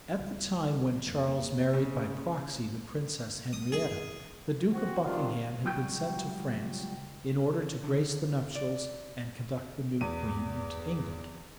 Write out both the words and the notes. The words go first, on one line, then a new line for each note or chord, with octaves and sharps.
At the time when Charles married by proxy the princess Henrietta, the duke of Buckingham had been sent to France, in order to grace the nuptials, and conduct the new queen into England.
C#2 F3 G3
F2 A#3
C#3
D#6
G#4
C4 F#4
D#3 G3 C4 D4 F4
C#2 F#3 G3 F#4 D#5 G5
D3
D5
E2 D#7